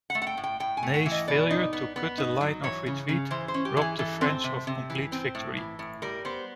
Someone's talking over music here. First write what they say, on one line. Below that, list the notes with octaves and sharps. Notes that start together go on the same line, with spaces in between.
Ney's failure to cut the line of retreat robbed the French of complete victory.
F#5
A3
F#5
G5
A2
G5
A2 G5
G#5
A3
F#5
E3
D#5
B2 D5
D#4
B3
B3
D#4
F#3
E3 C#5
C#3
C#3
E3 C5
C5
C#4
G4
E3 G#4
E3 A4
C4
C3
C3
E3
C4
A2
E3
A2
G3 A#4
B3 C5